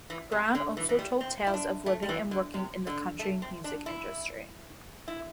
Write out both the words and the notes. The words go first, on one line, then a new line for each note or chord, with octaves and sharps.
Brown also told tales of living and working in the country music industry.
E3
C3
D3
E3
E3
G3
C4
E4
D4
A3
G3
E3
D3
C3
D3
A3
C4
D4
E4
E4